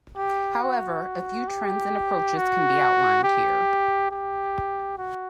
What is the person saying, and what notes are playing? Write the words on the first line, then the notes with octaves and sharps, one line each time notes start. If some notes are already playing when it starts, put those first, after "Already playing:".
However, a few trends and approaches can be outlined here.
G4
F#4
G4
F#4
G4
G4
F#4